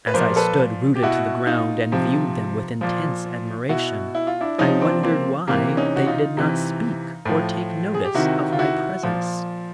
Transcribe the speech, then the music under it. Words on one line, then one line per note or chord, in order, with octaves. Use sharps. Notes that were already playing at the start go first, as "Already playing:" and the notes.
As I stood rooted to the ground and viewed them with intense admiration, I wondered why they did not speak or take notice of my presence.
B4
A#2 F3 A#4 C5
A4 B4
G4
B2 E4 F#4
D#4 F4
C3 F3
A#2 F3
B2 E4 F#4
E4
F4
D4 E4
C3 F3 C#4 D#4
C4 D4
A#3 C4
C3 E3 A#3
C#4 D#4
F#4
D#4 F4
C3 E3
A2 F3
G#4
G4
C3 D#3 E4 F#4
F4
E4 F#4
A#2 F3